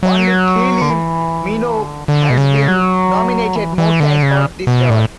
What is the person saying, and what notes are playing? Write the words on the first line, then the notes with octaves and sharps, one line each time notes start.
Only Kylie Minogue has been nominated more times for this award.
F#3
D3
E3
D3
D3
B2
C#3
F#3
E3
E3
D3
C#3
B2
A2